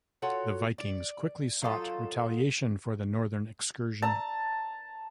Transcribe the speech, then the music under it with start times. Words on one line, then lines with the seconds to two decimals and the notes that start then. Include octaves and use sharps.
The Vikings quickly sought retaliation for the Northern excursion.
0.22 F4 F#4 A4 C#5
0.78 D5
1.62 F#3 D#4 F4 A4
4.02 A5 A#5